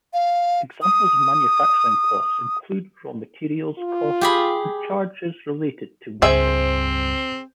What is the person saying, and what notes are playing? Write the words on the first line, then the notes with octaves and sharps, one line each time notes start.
Examples of manufacturing costs include raw materials costs and charges related to workers.
F5
D#6
F4
G4 G#4 B5
C#2 G2 C4 G#4 C5 E5